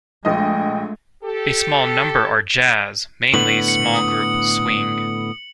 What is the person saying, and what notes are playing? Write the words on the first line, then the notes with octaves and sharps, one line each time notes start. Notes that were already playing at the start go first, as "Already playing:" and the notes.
A small number are jazz, mainly small group swing.
A#1 G#3 A3 D#5 G5
G4 A4
A2 D3 B3 F#7
C#7
D#6